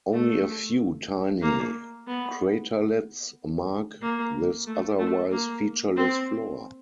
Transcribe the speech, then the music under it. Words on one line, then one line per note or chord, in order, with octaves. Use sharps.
Only a few tiny craterlets mark this otherwise featureless floor.
A3
A#3
B3
A#3
A3
A3
A#3
C4